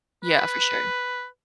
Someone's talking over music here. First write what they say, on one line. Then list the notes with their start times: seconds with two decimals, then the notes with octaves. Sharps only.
Yeah, for sure.
0.24 B4